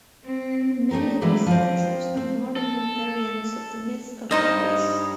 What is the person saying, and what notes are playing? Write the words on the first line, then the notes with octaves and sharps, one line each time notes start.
Many of his sculptures are modern variants of the myth of Icarus.
C4
A3 D#4 G4 A#4
E3 F#3 G#3 A3 B4 D5
F3 C4
C4
A4
G2 D#4 C5 D#5